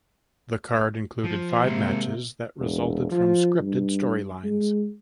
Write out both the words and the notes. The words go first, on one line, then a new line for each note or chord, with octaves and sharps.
The card included five matches that resulted from scripted storylines.
F3
C3 G#3 A#3 A#4
E1
F3
G2
G#3